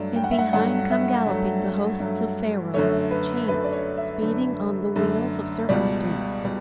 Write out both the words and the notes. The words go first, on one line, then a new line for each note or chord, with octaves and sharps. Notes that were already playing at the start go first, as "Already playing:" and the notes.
And behind come galloping the hosts of Pharaoh; chance, speeding on the wheels of circumstance.
Already playing: G2 F#3 A3 D5
G5
F#5
E5
F#5
G2 F#3 A3 F#5
E5
G2 F#3 A3
G2 F#3 A3
F#2 D3 A3 C#5
B4
F#2 D3 A3 B4
D5
C#5
E5
F#2 D3 A3
F#2 D3 A3
C#2 B2 G3 D5
B2 G3